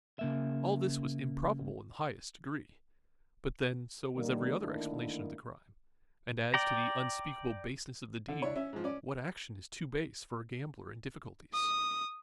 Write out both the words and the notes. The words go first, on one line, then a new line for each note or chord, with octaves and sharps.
All this was improbable in the highest degree, but then so was every other explanation of the crime; and as to the unspeakable baseness of the deed, what action is too base for a gambler in difficulties?
C#3 A#3 E5
D3 D#3 G3 A#3
D3 D#3 A3 A#3 D4 E4
D5 G5 A#5
D3
D4 E4 C#5
C#4 E5
G#2 F3
C#4 D5
D#6